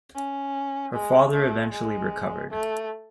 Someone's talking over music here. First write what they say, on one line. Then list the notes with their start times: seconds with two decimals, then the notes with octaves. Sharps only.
Her father eventually recovered.
0.15 C#4
0.93 G#3
1.33 A3
1.72 G#3
2.50 A3